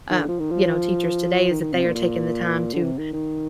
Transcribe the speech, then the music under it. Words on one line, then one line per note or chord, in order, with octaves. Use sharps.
um, you know, teachers today. Is that they are taking the time to
D#3
D3
F3
D#3
F3
D#3
D#3
C3
A#2
A#2
D3
C3
D#3
D#3